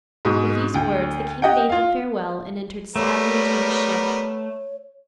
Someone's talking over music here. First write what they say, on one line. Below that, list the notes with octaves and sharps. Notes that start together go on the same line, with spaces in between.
With these words the king bade them farewell and entered sadly into his ship.
G#2 B2
D2 G5
G4 D#5 F#5 G5
F4 F5
G3 A3 B3 A#4 C#5